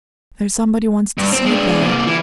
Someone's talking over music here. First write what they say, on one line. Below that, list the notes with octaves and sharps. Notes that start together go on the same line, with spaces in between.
There's somebody wants to see you there.
G2
C4
G#3 D4
C3 A#3
E3